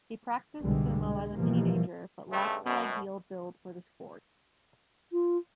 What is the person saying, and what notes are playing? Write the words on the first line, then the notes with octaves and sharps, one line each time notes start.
He practiced sumo as a teenager, but lacked the ideal build for the sport.
C2 G#2 B2 D3 G3 G#3
G#3
B2 E3 F3 G3 A#3
G2 C#3 G#3 A3
F#2 B2
F4